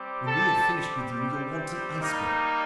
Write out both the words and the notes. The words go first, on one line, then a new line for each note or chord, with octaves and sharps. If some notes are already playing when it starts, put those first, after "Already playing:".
When we have finished with you, you'll want an iceberg.
Already playing: G3 C4 G4
A4 A5
G3 A#3 D#4